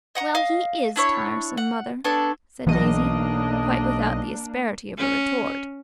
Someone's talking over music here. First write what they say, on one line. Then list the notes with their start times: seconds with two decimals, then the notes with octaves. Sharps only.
"Well, he IS tiresome, Mother," said Daisy, quite without the asperity of a retort.
0.15 D#5 F#5 A#5
0.35 D#5 F5
0.96 D4 E4 C#5
1.57 F#5
2.04 B3 D4 A4 C#5
2.67 B1 E3 F#3 A#3 D4 D#5
4.98 C#4